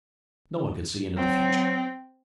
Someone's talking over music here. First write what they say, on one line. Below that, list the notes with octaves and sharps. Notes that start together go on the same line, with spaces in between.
No one could see into the future.
F#3 C4